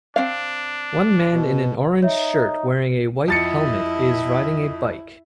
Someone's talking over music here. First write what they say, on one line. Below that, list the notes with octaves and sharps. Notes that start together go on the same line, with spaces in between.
One man in an orange shirt wearing a white helmet is riding a bike.
C4 D4 F5
B2
D#4 C#5 E5
F2 E4 D#5 A6 C#7